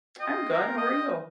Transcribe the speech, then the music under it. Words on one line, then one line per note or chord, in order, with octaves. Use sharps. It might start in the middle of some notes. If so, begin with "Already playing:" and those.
I'm good, how are you?
F4 D#5 G5 G6
A#4
D#5